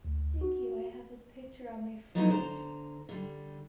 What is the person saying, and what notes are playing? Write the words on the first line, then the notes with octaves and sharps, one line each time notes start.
Thank you. I have his picture on my fridge,
D2
F#4
F3 F#3 A3 B3 D#4 E4
D3 C5 A#5
D3 G3